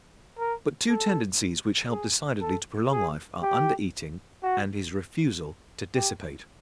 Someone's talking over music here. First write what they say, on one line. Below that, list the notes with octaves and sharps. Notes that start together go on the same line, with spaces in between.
But two tendencies which help decidedly to prolong life are under-eating and his refusal to dissipate.
A#4
A4
G#4
A4
G#4
G4
F#4
G4